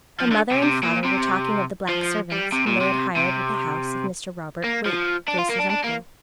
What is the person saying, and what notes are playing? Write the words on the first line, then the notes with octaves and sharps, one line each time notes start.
Her mother and father were talking of the black servants, whom they had hired with the house of Mr. Robert Waite, Grace's uncle.
F3
D3
C3
C3
A#2
C3
F3
G3
C3
A#2
C3
C3
A#3
F3
D4
F4
A#3
D4
D4
A#3